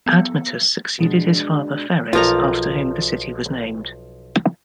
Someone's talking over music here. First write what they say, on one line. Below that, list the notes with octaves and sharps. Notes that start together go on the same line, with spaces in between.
Admetus succeeded his father Pheres after whom the city was named.
B3
B2 G#3 D4
B1 F3 F4 A#4 A#5